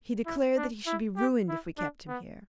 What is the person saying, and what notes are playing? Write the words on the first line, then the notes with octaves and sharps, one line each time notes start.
He declared that he should be ruined if we kept him here.
E4
D4
E4
G4
E4
D4
B3